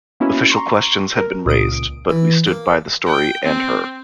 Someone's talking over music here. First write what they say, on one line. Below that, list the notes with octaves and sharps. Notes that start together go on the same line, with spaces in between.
Official questions had been raised, but we stood by the story and her.
A#3 B3 C#4 D#4 E4 F#4
A#5 C6 C#6
A#4
C#2 A#2 D#6 D7
E3
A#3
G5
C4